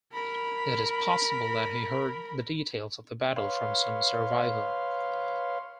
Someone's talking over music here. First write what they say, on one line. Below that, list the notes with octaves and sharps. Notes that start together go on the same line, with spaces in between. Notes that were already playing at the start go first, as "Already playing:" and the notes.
It is possible that he heard the details of the battle from some survivor.
A#4 B5
B4 C#5 F5 C6